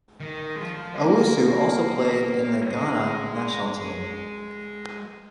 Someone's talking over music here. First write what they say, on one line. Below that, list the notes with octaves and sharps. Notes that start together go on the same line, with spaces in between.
Owusu also played in the Ghana national team.
D#3
G#3
F3
G#3
A#3
G#3